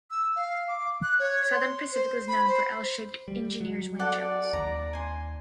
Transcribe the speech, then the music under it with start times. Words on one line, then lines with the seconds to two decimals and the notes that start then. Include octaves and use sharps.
Southern Pacific was known for L-shaped engineer's windshields.
0.11 E6
0.36 F5
0.68 D6
1.03 F#6
1.19 C#5
1.52 C6
1.92 C5
2.28 B5
2.47 C5
3.28 G3
3.61 F#3
3.99 A4 D5 F#5 D6
4.53 D#2 A#5
4.93 G#5 C6